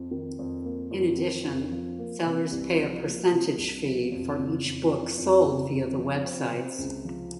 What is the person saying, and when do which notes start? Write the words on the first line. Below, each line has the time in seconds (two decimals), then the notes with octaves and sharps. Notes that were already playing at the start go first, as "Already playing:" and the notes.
In addition, sellers pay a percentage fee for each book sold via the websites.
Already playing: F2
0.11 D#3
0.39 F2
0.65 A#3
0.91 F2
1.18 D#3
1.45 F2
1.72 F3
1.98 A#3
2.26 C3
2.52 C2
2.79 F3
3.05 A#3
3.32 C3
3.58 C2
3.86 F3
4.12 F2
4.39 C#3
4.66 F2
4.92 F3
5.18 F2
5.46 C#3
5.72 F2
5.98 F3
6.25 C4
6.52 C3
6.78 C#2
7.05 F3